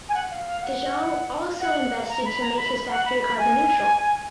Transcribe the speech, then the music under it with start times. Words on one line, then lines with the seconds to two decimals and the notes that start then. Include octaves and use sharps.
De Jong also invested to make his factory carbon neutral.
0.09 G#5
0.14 F#5
0.30 F5
0.46 F5
0.62 F#5
1.60 F#5
2.09 A#5
2.24 B5
2.41 A#5
2.57 B5
2.73 B5
2.89 F#5
3.05 B5
3.21 B5
3.38 G#5